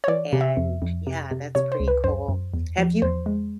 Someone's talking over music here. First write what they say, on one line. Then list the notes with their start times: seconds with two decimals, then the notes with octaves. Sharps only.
and yeah, that's pretty cool. Have you
0.04 C#5
0.08 E3 D5
0.33 C3
0.41 E5
0.57 F2
0.82 F2
1.07 C3
1.31 C3
1.55 C3 C#5
1.72 C5
1.80 C#2
1.88 B4
2.04 F#2 C5
2.29 F#2
2.54 E2
2.78 F3
3.02 E2 C5
3.26 G#3